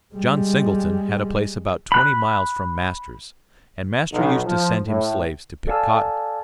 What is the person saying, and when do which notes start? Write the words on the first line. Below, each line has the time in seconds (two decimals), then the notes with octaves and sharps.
John Singleton had a place about twenty miles from master's, and master used to send him slaves to pick cotton.
0.15 G3 G#3
1.92 B5 F#6
4.12 B1
4.45 F3
4.86 A2
5.67 A4 D5 F5 G#5 A5 E6